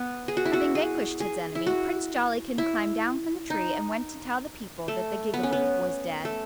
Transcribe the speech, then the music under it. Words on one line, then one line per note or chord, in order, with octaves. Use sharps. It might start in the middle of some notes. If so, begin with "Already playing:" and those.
Having vanquished his enemy, Prince Jollikin climbed down from the tree and went to tell the people that the Gigaboo was dead.
Already playing: B3
G#4
F#4
E4
F#4
G#4
G#4
E4
F#4
E4
D#4
A3
B3
C#4
B3
A3